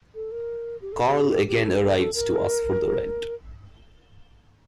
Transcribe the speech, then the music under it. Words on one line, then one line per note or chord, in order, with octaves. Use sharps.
Karl again arrives to ask for the rent.
A4
A#4
G4
A4
G4
G4
A4
A4
A4
A#4